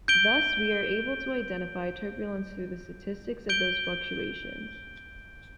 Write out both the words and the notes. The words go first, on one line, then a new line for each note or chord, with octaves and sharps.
Thus, we are able to identify turbulence through the statistics of those fluctuations.
G6 D7 G7
G6 D7 G7